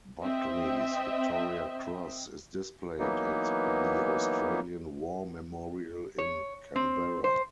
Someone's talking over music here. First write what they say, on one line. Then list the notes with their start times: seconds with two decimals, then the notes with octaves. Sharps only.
Buckley's Victoria Cross is displayed at the Australian War Memorial in Canberra.
0.23 C4 D#5 E5 G5
2.99 E3 F#3 A#3 B3 D#4
6.18 C#5
6.76 C4
7.24 C5